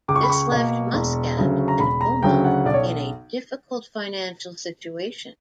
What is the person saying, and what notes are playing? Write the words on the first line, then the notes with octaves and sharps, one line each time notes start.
This left Muscat and Oman in a difficult financial situation.
C#2 D6
C#6
B5
C#6
B2 A#3
E1
D2 C#3 F#3
A#5
E1 B5
A#5
D2 C#3 F#3 G5
F#5
B1 D5
C#5